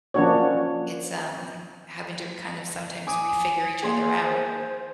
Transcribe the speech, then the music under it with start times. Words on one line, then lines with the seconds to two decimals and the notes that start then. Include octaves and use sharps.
it's, um, having to kind of sometimes refigure each other out
0.14 F3 A#3 C#4 D4 F#4 C#5
3.07 G#5 D6 D#6
3.83 A#3 G#4 C6
4.22 C5